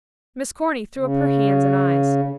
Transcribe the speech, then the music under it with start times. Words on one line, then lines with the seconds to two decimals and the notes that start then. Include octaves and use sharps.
Miss Corny threw up her hands and eyes.
0.98 C#3